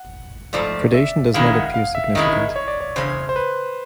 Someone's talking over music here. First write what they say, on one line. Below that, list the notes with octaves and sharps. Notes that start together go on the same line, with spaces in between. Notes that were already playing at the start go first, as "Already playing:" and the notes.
Predation does not appear significant.
Already playing: F#5
G#2 F3 A3 D5
E5
G#2 D#3 G#3 C#4 E4 F5
F#5
F5
E5
G#2 D#3 G#3 C#4 E4 D#5
C#5
D5
C#5
E2 C#3 C#4 C5
C5
B4